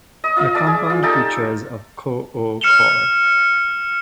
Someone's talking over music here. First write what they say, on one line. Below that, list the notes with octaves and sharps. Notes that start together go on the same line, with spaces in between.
The compound features of CoO core.
D#5
F4 D#5 F5
D5 E5 A5
G#4
F4
D#4 G4 A4 A5
F6 C#7 E7 F7 G7